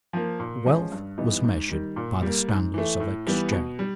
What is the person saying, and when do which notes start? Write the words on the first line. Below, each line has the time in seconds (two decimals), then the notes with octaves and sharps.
Wealth was measured by the standards of exchange.
0.13 F3 A#3
0.40 A#2
0.66 F3 G#3 C#4
0.92 G2
1.18 E3 G3 B3 D#4
1.43 G#2
1.69 D#3 G3
1.96 A#2
2.22 G3 A#3
2.48 G#2
2.74 E3 A3
3.00 A2
3.27 E3 G3 B3
3.52 B2
3.79 G3